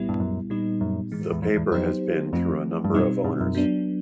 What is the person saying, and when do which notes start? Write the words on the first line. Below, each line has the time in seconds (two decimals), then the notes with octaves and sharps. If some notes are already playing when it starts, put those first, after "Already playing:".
The paper has been through a number of owners.
Already playing: C2 A#2 G3 B3 E4
0.09 G2
0.20 F#2
0.50 A#2 G3 B3 D#4
0.81 F#2
1.12 A2 E3 G#3
1.32 E2
1.42 F2
1.57 E2
1.72 F2 F#3 B3 D#4 G4 C5
2.33 F2 F3 A3 C4
2.84 G2
2.94 F#2 B2 G3 C4 D#4
3.24 G2
3.41 F#2
3.55 F#3 B3 D4